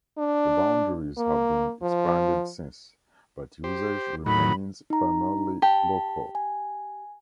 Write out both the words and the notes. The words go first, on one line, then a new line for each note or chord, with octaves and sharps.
The boundaries have been expanded since, but usage remains primarily local.
D4
A#3
F3
G4 C5
A2 D#3 F#3 B5
D#4 A#5
G4 A5
G#5